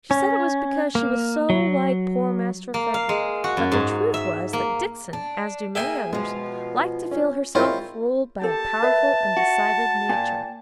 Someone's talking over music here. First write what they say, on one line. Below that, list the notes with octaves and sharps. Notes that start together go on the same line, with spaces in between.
She said it was because she was so like poor Master Frederick; but the truth was, that Dixon, as do many others, liked to feel herself ruled by a powerful and decided nature.
C#4
A#3
F#3
A#3
F5
G#3
F#4
F#2
G#2
E5
A#3
D4
A#3 B3 D#4 G#4 E5 G5 G#5
B2 F3 G#3 F4
C#4
G#3 C4 E4 F4 A#4 C#5
G4 A4 A5
B4 E5 F5
F#4
A#2 G5 G#5